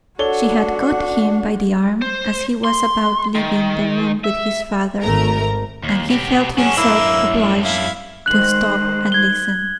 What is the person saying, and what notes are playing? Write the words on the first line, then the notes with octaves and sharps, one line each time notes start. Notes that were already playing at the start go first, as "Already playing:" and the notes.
She had caught him by the arm as he was about leaving the room with his father, and he felt himself obliged to stop and listen.
D4 F#4 A4 C#5 F#5 G7
C5
C6
D#3
E5
G#1 A3 A#4 A#5
D#2
B2 F#3 G4
F#2 C#4 D4 F#4 G#4
A#3 E4 E6
E4 F5
D#3 G#3 C5 F#6 F#7
G#6 G7